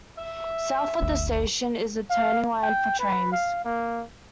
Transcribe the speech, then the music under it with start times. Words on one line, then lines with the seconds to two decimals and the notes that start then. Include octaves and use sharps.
South of the station is a turning line for trains.
0.17 E5
1.01 D1 G1 D2
2.10 F5
2.63 G5
3.00 B4
3.32 F5
3.65 A#3